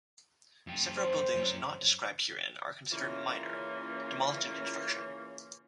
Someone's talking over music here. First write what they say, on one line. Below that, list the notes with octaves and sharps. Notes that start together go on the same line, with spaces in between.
Several buildings not described herein are considered minor, demolished in construction.
F#2 G5
C5
F#2 C#5
A#2 C#3 E3 A#3 C#4 F4